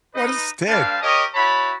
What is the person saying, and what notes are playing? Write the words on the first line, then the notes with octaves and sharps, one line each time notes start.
what a stick.
D#4 B4 D#5
G3 A#3 D4 C5 F5 A5
G4 A#4 C#5 D#5
E4 F#4 C#5 A5 B5